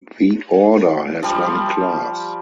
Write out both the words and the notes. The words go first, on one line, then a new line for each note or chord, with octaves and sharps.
The order has one class.
F3 G3